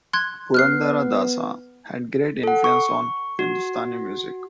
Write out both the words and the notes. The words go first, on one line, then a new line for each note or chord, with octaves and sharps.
Purandara Dasa had great influence on Hindustani music.
C6 F#6 G#6
B3 F6 F#6 C7
A4 F#5
C#6
F#4